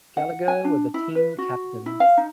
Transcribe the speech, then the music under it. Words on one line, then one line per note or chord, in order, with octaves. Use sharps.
Gallagher were the team captains.
F#5
G#5
D4
E4
B4
F#4
E4
F5
D#4